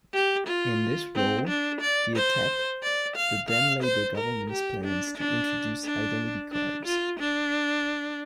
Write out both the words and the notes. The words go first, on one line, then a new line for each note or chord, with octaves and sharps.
In this role, he attacked the then Labour government's plans to introduce identity cards.
G4
F4
C4
D4
D5
C5
D5
F5
F5
C5
A#4
G4
D4
D4
D4
D4
F4
D4